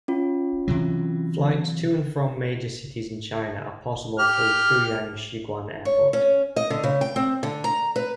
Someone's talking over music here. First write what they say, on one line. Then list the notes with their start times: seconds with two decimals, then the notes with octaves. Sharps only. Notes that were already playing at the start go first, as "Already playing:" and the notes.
Flights to and from major cities in China are possible through Fuyang Xiguan Airport.
0.08 C#4 F4
0.68 C3 E3 F#3
4.19 G4 F6
5.85 C#5
6.13 C#4
6.56 D#5
6.70 D3
6.83 C#3
7.01 G5
7.16 C4
7.43 D3
7.64 A#5
7.96 B4